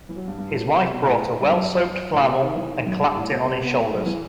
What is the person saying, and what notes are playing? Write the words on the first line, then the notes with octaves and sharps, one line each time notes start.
His wife brought a well-soaped flannel and clapped it on his shoulders.
E3
F#3
G2
G2
A2
B2
C3
B2
A2
G2
F#2
A2
B2
C3
D#3
E3
D#3
F#2
G2
A2
B2
C3
B3
A3
F#3
E3